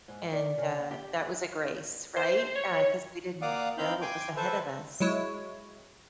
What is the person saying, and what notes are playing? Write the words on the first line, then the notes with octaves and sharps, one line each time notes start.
and, uh, that was a grace, right? Uh, 'cause we didn't know what was ahead of us.
G#2
D5
C#3
F#5
G4
C5
C#5
A#3 D5 F5 F#5 D6 D#6
C4 D#4 E4 F5 B5 G6
G5 G#5 C6 D6
A4 B4 C5 E5
F#3 G#3 E4 C#5